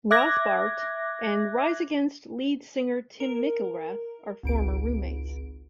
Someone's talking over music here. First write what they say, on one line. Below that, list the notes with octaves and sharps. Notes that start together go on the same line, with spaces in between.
Rothbart and Rise Against lead singer Tim McIlrath are former roommates.
E5 D6 F#6 G#6 A#6
A#4
G#1 C#2 D7